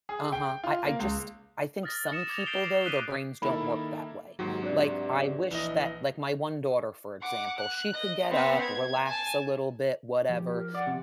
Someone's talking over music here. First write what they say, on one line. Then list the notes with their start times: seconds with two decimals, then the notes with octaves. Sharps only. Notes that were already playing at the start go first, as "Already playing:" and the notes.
Uh-huh. I I just I think some people, though, their brains don't work that way. Like, I wish that, like, my one daughter, for example, she could get up, relax a little bit, whatever,
0.09 G#4
0.32 G5
0.64 F4
0.84 A#3
0.99 C#2
1.83 D#6 F6 A6 A#6
2.11 D#6 C#7 E7
2.29 D6 G#6 A#6 F7
2.46 G6 C7 D7 G7
2.63 C7
2.85 D#6 F#6 B6 C7 D7 D#7
3.42 D#3 A#3 E4 A4 E5 B5
4.39 D#2 G#2 F#3 G4
4.62 C3 D4 B4 D5
5.51 A#1 E3 D#5
7.21 F#5 D6
7.58 F#6
7.93 D#5
8.30 B3 C4
8.61 G#6
9.05 G#5 A5
10.29 F3 G4
10.58 A#4
10.74 D5 F#5
10.87 C3